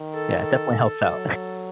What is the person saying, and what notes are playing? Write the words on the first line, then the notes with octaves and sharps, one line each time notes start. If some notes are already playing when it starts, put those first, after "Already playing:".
Yeah, it definitely helps out.
Already playing: D#3
A4
A4
F#3